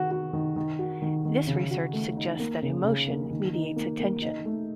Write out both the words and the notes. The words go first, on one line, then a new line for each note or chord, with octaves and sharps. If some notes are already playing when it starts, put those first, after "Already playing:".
This research suggests that emotion mediates attention.
Already playing: D#3 F#4
F#4
D#3
D#3
F#4
D#3
D#3
C#3
F#4
A3
D#4
A#3
C#3
C#3
A#3
D#3
D#4
A#3
A#3
D#4
A3